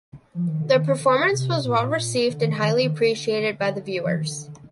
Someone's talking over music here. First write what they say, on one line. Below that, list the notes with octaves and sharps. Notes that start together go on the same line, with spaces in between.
The performance was well received and highly appreciated by the viewers.
F3
D#3
D3
D#3
D3
C3
A#2
A2
A#2
D3
D#3
D3
D#3
D3
D#3
D3
D3
F3
D#3
D3